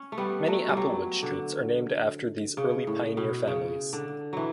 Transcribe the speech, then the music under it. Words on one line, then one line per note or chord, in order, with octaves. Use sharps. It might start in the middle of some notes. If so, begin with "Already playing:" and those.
Many Applewood streets are named after these early pioneer families.
Already playing: C#4
A3
G3 B3
F#3 A3
G3
F#3
D3
C#3
A2
B2
C#3
D3
E3 F#3